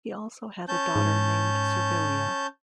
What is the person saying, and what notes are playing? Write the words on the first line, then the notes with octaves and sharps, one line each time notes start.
He also had a daughter named Servilia.
C#4 A5 G6
G#2